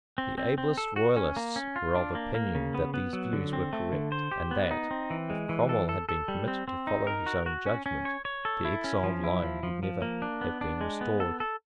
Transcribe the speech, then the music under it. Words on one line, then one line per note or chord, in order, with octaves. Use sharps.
The ablest Royalists were of opinion that these views were correct, and that, if Cromwell had been permitted to follow his own judgment, the exiled line would never have been restored.
C4
C4
C4
A4
F#4
C#4
A#3
C#4
F4
D4
A#3
A#3
C#3
B3
B3
F#3
D3
C4
A3
D3
C5
G4
B3
D#4
C4
E3
G#3
E3
A4
A4
A4
G3
C4
C4
D#4
A#4
F#4
F#4
C#4
C#4
C#5
C#5
A4
E4
C#4
F3
E4
F3
F3
F3
A#3
D4
B3
D4
G#3
B3
A4
A4